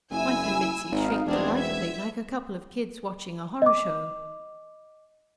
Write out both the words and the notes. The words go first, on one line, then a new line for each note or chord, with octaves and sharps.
Mike and Mitzi shrieked delightedly, like a couple of kids watching a horror show.
F#1 E4 G#5 E6
G#1 D#4 F5
E1 B3 C4 D4 G#6
E5
D#5 D6